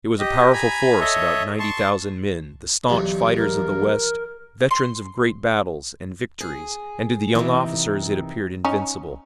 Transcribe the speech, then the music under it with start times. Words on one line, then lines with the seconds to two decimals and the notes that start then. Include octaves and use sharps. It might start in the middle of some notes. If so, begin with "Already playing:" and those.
It was a powerful force, about ninety thousand men, the staunch fighters of the West, veterans of great battles and victories, and to the young officers it appeared invincible.
0.19 G4 D#5
0.53 G#5 A#5 B5
1.00 A4 C#5 D#5 E5
1.59 A5 C6 C#6
2.89 B1 E2 G2
3.37 A#4
4.71 C6
6.40 G#4
7.35 C3 D#3 E3
8.65 C#4 D#4